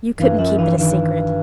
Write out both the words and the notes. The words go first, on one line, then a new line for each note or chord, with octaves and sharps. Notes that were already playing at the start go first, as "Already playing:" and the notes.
You couldn't keep it a secret.
G2 E3
F#2 F3
G2 E3
G2 D#3